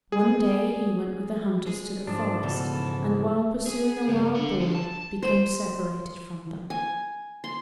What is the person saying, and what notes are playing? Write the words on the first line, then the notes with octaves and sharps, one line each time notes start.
One day he went with the hunters to the forest, and while pursuing a wild boar, became separated from them.
G#4
G#3 G#4
G#2 F3 D4
C#2 B2 E3 F3 A4
G#4
C#2 G2
D3
D3 F3
A5
C5
G#5
C6